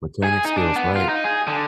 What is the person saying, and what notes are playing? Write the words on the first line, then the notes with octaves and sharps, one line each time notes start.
Mechanic skills, right?
G#4
D#4
D4
B3
F4
D#4
G#4
D3